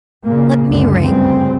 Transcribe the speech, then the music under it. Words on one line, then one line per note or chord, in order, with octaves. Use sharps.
Let me ring.'
A#2 C#3 A#3
C#2 F#2 D3
D2 G2 C#3 C4